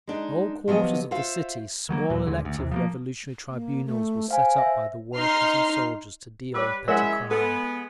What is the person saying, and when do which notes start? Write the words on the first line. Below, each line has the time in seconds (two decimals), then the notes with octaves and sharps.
In all quarters of the city small elective Revolutionary Tribunals were set up by the workers and soldiers to deal with petty crime....
0.07 G#3 D4 D#4
0.68 F3 F#3 B3 G4 D#5
1.11 F4 F#4 C5 E5 F5
1.89 D#3 F#3 G3 A#3
2.09 D#2 A#2 F3 F#3
2.26 D#2 A2 D3 G#3
2.45 D2
2.58 D#2 C3 E3
2.72 F3 F#3 A#3
3.50 A#3
3.85 A3
4.31 C5 F5 G#5
4.58 E5
5.17 D#4 C6 F6 C7
6.54 G3 B4 C#5 D6 E6
6.88 F#2 G#3 E4 A#4 C#5 E5 F#5 A#6
7.31 B3 A4